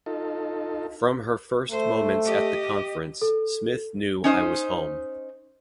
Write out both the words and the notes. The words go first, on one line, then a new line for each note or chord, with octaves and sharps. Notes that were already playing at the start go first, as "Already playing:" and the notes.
From her first moments at the conference, Smith knew I was home.
D#4 F4 A4
A3 C5
G4 D#5
A4
C#4 D#4 C5 D#5